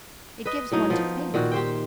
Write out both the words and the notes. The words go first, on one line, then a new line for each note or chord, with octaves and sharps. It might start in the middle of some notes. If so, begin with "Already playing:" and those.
It gives one to think.
B4 D#5
A2 F#3 D#4
F3 B3 D#4
A#2 D#3 F#4
G4 C5 G5